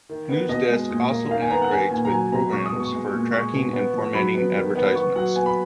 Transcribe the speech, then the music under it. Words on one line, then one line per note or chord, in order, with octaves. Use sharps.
Newsdesk also integrates with programs for tracking and formatting advertisements.
D#3
B3
B2 D#5
G#3
A#2
A#3
D#3 F5
G#5
B3 A#5
F#5
C#4 G#5
A#2 G#5
A#5
F#3 G#5
B2 A#5
G#3 C#6
D#6
B2
C#6
G#3
A#2
G#3 C#6
B2
B3
F3
F#3 B5
B3
D#3
B3
B3 C#6
F#3 F#5
B3 G#5
B5